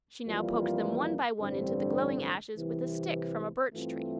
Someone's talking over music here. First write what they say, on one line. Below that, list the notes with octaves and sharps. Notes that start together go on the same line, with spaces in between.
She now poked them one by one into the glowing ashes with a stick from a birch tree.
F2 E3 G3 A#3 F4
A1 G2 D3 G3 C4
C2 C3 E3
G2 E3 A3 C4 F4